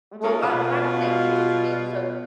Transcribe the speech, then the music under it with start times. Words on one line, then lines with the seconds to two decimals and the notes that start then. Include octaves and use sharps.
uh, well, what what I was saying, so did you mean, so
0.22 G#3 A#3 C#4 D#4 F4 G#4
0.42 B2 F4